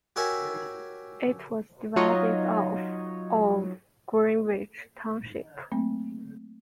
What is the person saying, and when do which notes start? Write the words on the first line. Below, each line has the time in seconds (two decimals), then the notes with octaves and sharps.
It was divided off of Greenwich Township.
0.16 F#4 G4 A#4 C#5 E5 G#5
1.96 F#3 D#4 F4 C#5 D#5
5.72 F#3 A3 A#3 C4